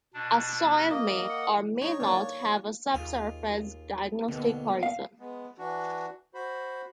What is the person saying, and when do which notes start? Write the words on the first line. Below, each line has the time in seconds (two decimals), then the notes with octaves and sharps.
A soil may or may not have a subsurface diagnostic horizon.
0.14 B2 D4
0.90 A#3 D#5
1.29 F#5
1.82 D#4 C#5
2.00 A#3 D4 C#5 D5
2.95 D#2 F4 G#4
4.28 D#2 B2 D3
4.83 F5
5.20 G#3 B3
5.58 E3 D4 F#4
6.34 F#4 C5 B5